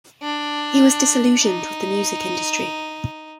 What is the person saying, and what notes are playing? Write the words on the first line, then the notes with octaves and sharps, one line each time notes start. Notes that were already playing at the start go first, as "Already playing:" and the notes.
He was disillusioned with the music industry.
D4
D#4